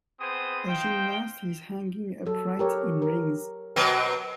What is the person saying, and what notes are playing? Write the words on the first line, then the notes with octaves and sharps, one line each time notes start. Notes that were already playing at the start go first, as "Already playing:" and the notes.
A gymnast is hanging upright in rings.
B3 C4 G#4 C5 D#6
D#4 C5 F5 G5
F#3 A4
G4 A#4 C#5
A#4
B2 F#3 C4 B4